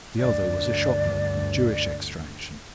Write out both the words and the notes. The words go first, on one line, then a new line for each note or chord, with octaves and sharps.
The other was a shopman of Jewish extraction.
D2 G2 D3 D5